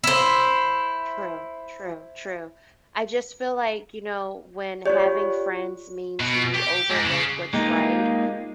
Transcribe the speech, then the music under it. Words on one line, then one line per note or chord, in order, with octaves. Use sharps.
True, true, true. I just feel like, you know, when having friends means you overlook what's right,
E4 C5
F4 G4 C#5 D5 C#6
C#6
B2
G4
G#2
C#3
G#3 A#3 D#4 F4 G4